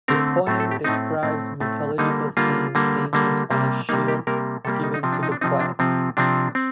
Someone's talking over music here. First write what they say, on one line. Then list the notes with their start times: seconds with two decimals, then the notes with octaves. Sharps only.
The poem describes mythological scenes painted on a shield given to the poet.
0.08 D3 A3 C4 A#4
0.47 A2 A3 C4 A4
0.60 A4
0.71 G4
0.84 A2 A3 C4 D#4
1.23 A2 A3 C4
1.60 A2 A3 C4
1.98 D3 G3 A#3 D#4
2.37 D3 G3 A#3 F4
2.75 D3 G3 A#3
3.13 D3 G3 A#3
3.50 C3 G3 A#3
3.89 C3 G3 A#3 D#4
4.08 G4
4.27 C3 G3 A#3 A#4
4.65 C3 G3 A#3 A4
4.74 G4
4.84 D#4
4.94 D#4
5.03 C3 F3 C4
5.13 D4
5.23 D#4
5.32 D4
5.41 C3 F3 C4 D#4
5.60 D4
5.79 C3 F3 C4
6.17 C3 F3 C4 D4
6.55 C4